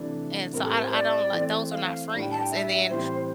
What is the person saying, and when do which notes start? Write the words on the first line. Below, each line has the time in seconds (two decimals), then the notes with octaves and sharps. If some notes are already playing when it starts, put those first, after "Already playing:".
And so I I don't like, those are not friends, and then
Already playing: C3 E3 A3 D4
0.53 A2 G3 C4 E4 A#4
0.63 A4
0.73 A#4
0.82 C5
0.93 D5
1.32 E3 A3 C4
1.71 F5
2.11 A2 G3 D4
2.21 G5
2.31 A5
2.40 G5
2.51 E5
2.89 A2 E3 G3 C4 C5